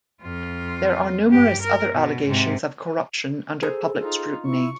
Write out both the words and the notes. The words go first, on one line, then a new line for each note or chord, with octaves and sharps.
There are numerous other allegations of corruption under public scrutiny.
F2 F4
G2 G4
A#4
B2
G#2 C3
G#4 A4 C5 A#5
D#4 F4
E4 C#6